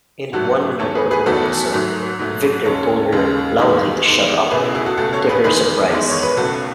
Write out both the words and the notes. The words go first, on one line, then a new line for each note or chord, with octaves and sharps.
In one memorable episode Victor told her loudly to shut up, to her surprise.
G#2 F#3 A3 F#4 A4
E2 D#3 A3 A4 C#5
G#4 B4
G#4 B4
E2 D#3 A3 F#4 A4
G#2 F#3 A3
G#2 F#3 A3
D#2 C#3 G#3 A4 C#5
D#2 C#3 G#3
E2 D#3 G#3
E2 D#3 G#3
C#2 B2 A3 G#4 B4
E4 G#4
E4 G#4
F#4 A4
C#2 B2 A3 F#4 A4
A4 C#5
G#4 B4
E2 D#3 G#3 G#4 B4
E2 D#3 G#3
C#5
B4
C#2 B2 A3 F#4 A4